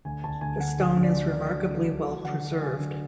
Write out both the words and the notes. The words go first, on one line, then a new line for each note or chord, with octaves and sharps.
The stone is remarkably well preserved.
D2 G#5
D2 A5
D2 G#5
D3 F#5
D2 G#5
D3
D5
D3
D5
D3
F#3
F#3
D2
D2
D3 F#5
F#3
F#3 G#5
D3